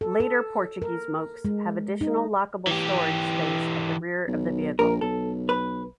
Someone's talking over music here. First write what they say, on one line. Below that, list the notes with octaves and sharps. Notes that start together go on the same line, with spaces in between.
Later Portuguese Mokes have additional lockable storage space at the rear of the vehicle.
A4
A4
A#4
G#3
D#4
E3 G4
B1
A#1 A#4
B1 A4
B4